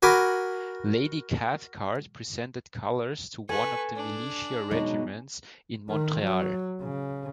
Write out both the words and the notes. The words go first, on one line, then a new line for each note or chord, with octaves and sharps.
Lady Cathcart presented colours to one of the militia regiments in Montreal.
F#4 A#4 G#5 B5 D6
A4 B4 G#5 C#6
D4
B2 F#3 G#3 D#4
D#3
F#3
C#3